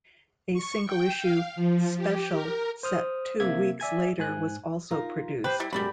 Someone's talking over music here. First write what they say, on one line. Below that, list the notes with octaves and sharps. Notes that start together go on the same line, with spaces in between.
A single issue 'Special' set 'Two weeks' later was also produced.
C#6
G5
F5
F3
G4
A#4
C5 D#6 F6
C3 A#3 E5 G#6
D5 E5 G#5 G#6
G#2 G#5 F#6
D#4 F4 A#4
G4 B4 C5
G3 E4
F#2 B2 G3 G#3 G4 D5 B5